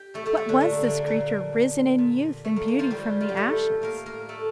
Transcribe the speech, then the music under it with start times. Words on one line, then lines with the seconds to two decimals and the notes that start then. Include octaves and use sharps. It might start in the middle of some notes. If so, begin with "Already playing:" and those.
What was this creature risen in youth and beauty from the ashes?
Already playing: G4
0.14 A2 A3 A4
0.26 A3 A4
0.37 A3 A4
0.49 D3 D4
0.61 A3
0.71 A#3
0.83 D3 D4
0.95 A#3
1.06 A#2 A#3
1.98 A#2
2.45 A3
2.56 A#3
2.68 A#3
2.79 F3 F4
2.91 A2 G3 G4
3.21 F4
3.29 G4
3.37 A3 A4
3.82 A2 A#3 A#4
4.06 A#3 A#4
4.29 A3 A4